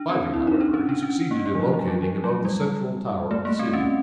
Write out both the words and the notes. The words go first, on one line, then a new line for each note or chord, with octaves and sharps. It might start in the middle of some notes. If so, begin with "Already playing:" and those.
Finally, however, he succeeded in locating above the central tower of the city.
Already playing: D4
C4
E4
D#4
D4
C#4
D4
C#4
A#3
A#3
F3
F#3
F3
F#3
F3
F#3
G3
A3
A#3
C4
C#4